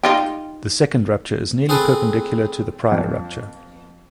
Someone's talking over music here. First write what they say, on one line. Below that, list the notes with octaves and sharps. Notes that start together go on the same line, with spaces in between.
The second rupture is nearly perpendicular to the prior rupture.
D#4 F4 G4
C4 G#4 A4 B4
F2